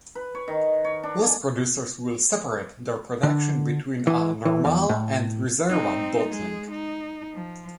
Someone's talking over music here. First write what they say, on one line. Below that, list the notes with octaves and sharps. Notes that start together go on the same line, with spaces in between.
Most producers will separate their production between a "normale" and "riserva" bottling.
B4
C#5
D#3
C#5
D4
G#5
D3
E3
E3
E2
A2
C4 D#4
G#3 G#4
D#4
F3